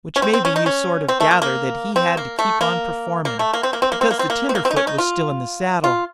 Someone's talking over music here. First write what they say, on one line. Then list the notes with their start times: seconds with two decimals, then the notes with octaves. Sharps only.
Which maybe you sort of gather that he had to keep on performin', because the tenderfoot was still in the saddle.
0.16 C#4
0.22 C4
0.33 C4
0.45 C#4
0.56 D#4
0.66 C#4
1.08 C4
1.20 A3
1.31 A#3
1.42 A#3
1.96 C4
2.17 A#3
2.39 A3
2.61 A#3
3.25 A#3
3.39 A3
3.53 A#3
3.63 C4
3.73 A#3
3.82 C4
3.92 A#3
4.01 C4
4.11 A#3
4.19 C4
4.30 A#3
4.49 C4
4.55 A#3
4.65 C4
4.71 D#4
4.76 C#4
4.87 D#4
4.98 F4
5.84 F4